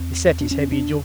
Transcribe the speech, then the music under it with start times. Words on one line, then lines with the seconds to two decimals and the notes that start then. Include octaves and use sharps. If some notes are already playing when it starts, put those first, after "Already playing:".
He set his heavy jaw.
Already playing: E2 C4
0.41 D4
0.51 C#4
0.72 D4